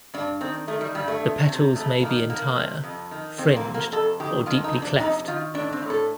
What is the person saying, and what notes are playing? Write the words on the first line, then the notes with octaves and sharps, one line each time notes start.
The petals may be entire, fringed or deeply cleft.
G2 D4
D#3 C4
D#3 A3
G3
G2 G3
A3
F2
C3
F2 A3
D#3 A#3
F2 A#3
C3
F2
D#3
F2 C4
A#3
C3
A#3
F2 A4
D#3 G4
F2 F4
D#4
C3
D4
F2 D#4
D#3 F4
A2 D4
C4
A2
A4